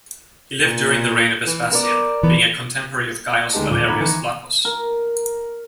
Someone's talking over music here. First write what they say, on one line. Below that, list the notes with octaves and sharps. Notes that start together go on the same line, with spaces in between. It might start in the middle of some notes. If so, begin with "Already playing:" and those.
He lived during the reign of Vespasian, being a contemporary of Gaius Valerius Flaccus.
A#2
E3
B3 A#4 D5
E3 B3
D2 G#3 D#4 G4 D#5 A5
D#1 F3 D6 G7
G#2 A#5 B5 D6 G#6
D#3 E3 A#5 F#6 C#7
A#4